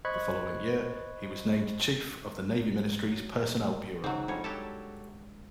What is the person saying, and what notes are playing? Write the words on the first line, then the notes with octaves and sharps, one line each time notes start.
The following year, he was named chief of the Navy Ministry's Personnel Bureau.
C5 D#5 B5 C#6 F#6 G#6
F#3
G#2 C#3 F#3 C4 D#4
F2 G3 G#3 D4 C#5 F#5
F#3 G4 A4 A5